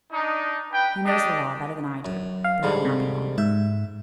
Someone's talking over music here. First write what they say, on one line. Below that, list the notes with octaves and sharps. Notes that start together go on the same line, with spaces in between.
"He knows the law better than I do; but I will not be long."
D4 D#4
B4 G5
D4 G4 A4 D#5
F#2
F5
G#2 D3 G3
C3
G#2 E5